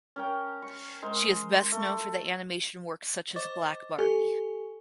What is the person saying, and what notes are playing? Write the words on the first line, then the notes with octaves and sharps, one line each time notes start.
She is best known for the animation works such as "Black Barbie".
C#4 A#4 G5
C#6
G#3 A#4 C5
A3
C5 D#5 C#6 D6 A6
G4 A4 G#5 C#6